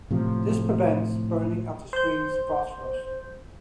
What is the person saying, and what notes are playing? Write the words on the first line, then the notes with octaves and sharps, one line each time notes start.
This prevents burning of the screen's phosphors.
A2 C3 F3
C5 G6